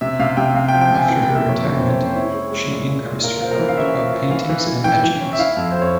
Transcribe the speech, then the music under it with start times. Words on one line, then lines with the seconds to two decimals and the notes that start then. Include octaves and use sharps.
After her retirement she increased her output of paintings and etchings.
0.01 C3 E5
0.20 C3 F5
0.37 C3 G5
0.54 C3 F5
0.68 G5
0.73 F3
0.81 G5
0.91 C3 G#5
1.08 E3 G5
1.22 A#3 G5
1.35 E5
1.44 F2
1.49 C#5
1.62 E3
1.77 F2 C5
1.89 C#5
1.98 C#4
2.05 C5
2.16 E4 C#5
2.34 G#3
2.51 G#3
2.70 A#2
2.88 A#2
3.06 A#2
3.23 F4 A#4
3.42 F4 C5
3.51 A#4
3.59 E3
3.68 F5
3.77 C#4 E5
3.95 F4
4.13 F4
4.31 E3 F5
4.49 E3
4.67 E3
4.84 E3 G5
5.03 E3
5.21 C#4
5.33 E5
5.39 E4 F5
5.57 F2
5.71 F2 C5
5.82 C#5